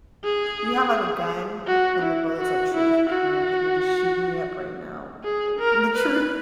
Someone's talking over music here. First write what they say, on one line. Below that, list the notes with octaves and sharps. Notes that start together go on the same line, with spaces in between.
You have, like, a gun and the bullets are truth and you're hi you're just shooting me up right now the the truth
G#4
F#4
E4
F#4
E4
F#4
G#4
A#4
B4